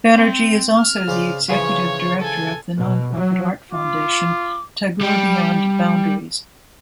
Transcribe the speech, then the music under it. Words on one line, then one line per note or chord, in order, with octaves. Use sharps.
Banerjee is also the executive director of the nonprofit art foundation Tagore Beyond Boundaries.
C4
F6
C#3 C5 D5
C#3 E3 F3 C#5 C#6
A4 G#5
B2
F#3
F4 D6
G3 G4